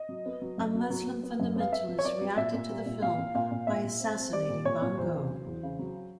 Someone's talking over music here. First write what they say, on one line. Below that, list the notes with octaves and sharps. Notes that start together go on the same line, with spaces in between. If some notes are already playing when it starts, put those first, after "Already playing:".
A Muslim fundamentalist reacted to the film by assassinating Van Gogh.
Already playing: D#5
F#3
B3
F#3
F#2
F#3
F#3
F#3
B3
F#2
B3 F5
B3 E5
F#3
C#5
B3 D5
F#3
A#2 E5
A#2
G3
A#2
A#2 F5
A#2
A#2 F5
A#2
A#2 E5
A#2
C4
C4
G3 D5
A#2
A#2 C#5
A#2
E2 C5
C#3
F#3
E2
C#3
F#3